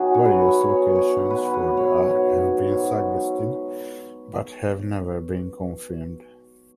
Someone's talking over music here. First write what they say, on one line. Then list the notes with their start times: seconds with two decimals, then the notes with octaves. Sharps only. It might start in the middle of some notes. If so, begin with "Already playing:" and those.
Various locations for the ark have been suggested but have never been confirmed.
Already playing: B2 F#3 D#4 F#4 G#4
0.14 C#5
0.25 B4
0.60 B2 F#3 C#5
0.95 C#5
1.30 B2 F#3 B4
1.54 B4
1.77 C#5
2.01 G#2 F#3
2.72 G#2 F#3